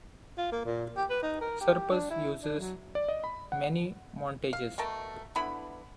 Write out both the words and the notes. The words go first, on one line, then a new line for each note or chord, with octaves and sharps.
Surplus uses many montages.
F4
A#3
A#2
G4
B4
D#4
A#4
G4
D4
E4
D4
F#3
D5
D#5
B5
F#5
F5
B2 A3 A#4 A5
D3 B3 E4 B5